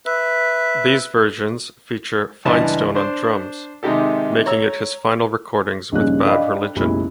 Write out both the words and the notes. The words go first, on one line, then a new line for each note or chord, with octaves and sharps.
These versions feature Finestone on drums, making it his final recordings with Bad Religion.
B4 E5
C#2 G2 E3 E4 D#5 A5
D4 C5
C3 D#3 G#3 D#4 G4 A4
C#5 A#5 E6
A#1 G2 C#3 D#4 G#4 F#6
D4 A4 D#5 F5 G5 B5
F#1 B1 G#3 E4 G4 G#4